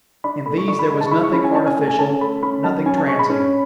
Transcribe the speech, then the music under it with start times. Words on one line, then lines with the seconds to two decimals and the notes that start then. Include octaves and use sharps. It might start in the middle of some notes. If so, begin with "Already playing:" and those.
In these there was nothing artificial, nothing transient.
0.24 D4 B5
0.46 A3 B5
0.58 C#6
0.68 D4 C#6
0.79 B5
0.90 G#3 B5
1.01 A5
1.06 C#6
1.11 E4 B5
1.23 C#6
1.33 C#4 B5
1.44 G#5
1.55 D4 A5
1.66 G#5
1.77 A3 G#5
1.88 G#5
1.99 C#4 A5
2.21 A3 B5
2.43 C#4 B5
2.64 F#3 A5
2.86 C#4 G#5
2.98 A5
3.08 G#3 C#6
3.19 B5
3.30 C#4